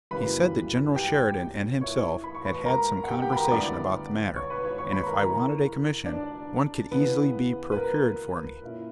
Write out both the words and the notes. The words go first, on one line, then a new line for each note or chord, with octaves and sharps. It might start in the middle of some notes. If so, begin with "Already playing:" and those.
He said that General Sheridan and himself had had some conversation about the matter, and if I wanted a commission, one could easily be procured for me.
F#2 C#3 E3 G3 A#3 B4 B5
G4 G5
A#2 A#3 E4 C#5 C#6
B5
C#6
B4 B5
A#4 A#5
F#5
G4 G5
G4 G5
B5
A#4 A#5
D2 D3 G3 B3 E4 D5 D6
C#5 C#6
B4 B5
C#5 C#6
C#5 C#6
B4 B5
B5
A#4 A#5
C#3 E3 A#3 A#4 A#5
D4 D5
C#3 E3 B3 B4
B4
A#4
A#2 A#3 C#4 E4